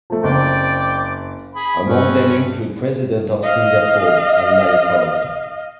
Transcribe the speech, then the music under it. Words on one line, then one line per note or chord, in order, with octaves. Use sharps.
Among them include President of Singapore Halimah Yacob.
F3 A3
F#1 C4 D5 G5
G#4 B5
G2 C4 C#4 B4 C5
D#5 F5